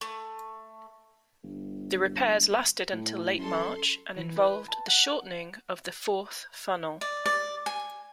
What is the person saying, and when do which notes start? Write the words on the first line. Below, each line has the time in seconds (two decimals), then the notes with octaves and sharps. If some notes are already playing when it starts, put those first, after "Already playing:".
The repairs lasted until late March, and involved the shortening of the fourth funnel.
0.01 A3
1.44 G1
2.93 A2
3.38 F#2 A4 C6
4.16 E3
4.36 B4
4.68 A5
4.88 F#5
7.01 D5
7.26 D5
7.66 G#5